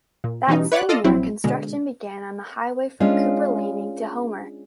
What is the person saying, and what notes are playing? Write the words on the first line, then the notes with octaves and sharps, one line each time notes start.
That same year, construction began on the highway from Cooper Landing to Homer.
A#2
B2 E3 G3 C#4 D#4
B4 C#5 D5 F#5 F#6
F4 A4 D5 D#5 F5
A#1 F#3 C4 E4
B2 D3 G#3
G#3 C#4 D4 F4